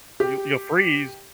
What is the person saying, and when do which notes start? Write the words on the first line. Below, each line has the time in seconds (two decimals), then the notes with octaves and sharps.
you’ll you'll freeze.
0.20 G4